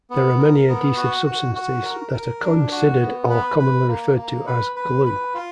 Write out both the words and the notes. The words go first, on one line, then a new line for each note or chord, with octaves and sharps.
There are many adhesive substances that are considered or commonly referred to as "glue".
B3
A#4
B3
F#4
F#4
F#4
A#4
A#4
D4
F#4
B3
B4
B4
A#3
A#3
B4
B4
B4
F4